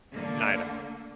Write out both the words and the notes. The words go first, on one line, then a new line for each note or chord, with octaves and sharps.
Night owl.
D3 A3 A#3